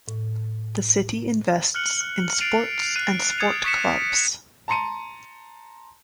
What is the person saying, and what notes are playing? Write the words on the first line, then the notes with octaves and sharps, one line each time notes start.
The city invests in sports and sport clubs.
A2
F6 F#6 C#7 F#7
F6
A6 C7 D7 D#7 F7
F#6 C7 D#7
D#6 G#6 A6 C#7 D#7 F7
C#6 D#6 B6 C#7 E7
A5 A#5 C6 C#7 D#7